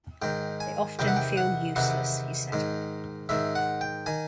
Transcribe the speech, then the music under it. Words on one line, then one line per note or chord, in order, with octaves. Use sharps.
"They often feel useless," he said.
G#2 D#3 G5
G#5
E2 C3 D#3 G5
F#5
G5
F#5
E2 C3 D#3 F#5
G#2 D#3
G#2 D#3 E5
F#5
G5
D#3 G#5